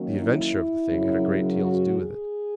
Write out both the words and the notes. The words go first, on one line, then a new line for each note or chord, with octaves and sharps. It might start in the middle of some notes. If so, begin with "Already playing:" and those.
"The adventure of the thing had a great deal to do with it."
Already playing: D#3 F#3 A#3 C#4
E4
F#2 C#3 F#3
F#4
G#4